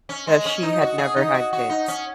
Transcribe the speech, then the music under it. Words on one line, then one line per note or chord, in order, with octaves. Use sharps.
that she had never had kids.
C#4
G#3
C#4
D#4
F#4
G#4
D#4
F#4
F#4
D#4
C#4